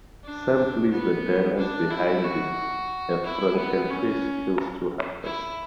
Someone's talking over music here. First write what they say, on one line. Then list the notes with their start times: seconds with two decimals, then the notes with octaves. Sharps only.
Sam flees the den as behind him a frankenfish kills two hunters.
0.25 D4
0.91 B3
1.58 D4
1.91 E4
2.24 F#4
3.24 E4
3.57 B3
3.90 C#4
5.24 E4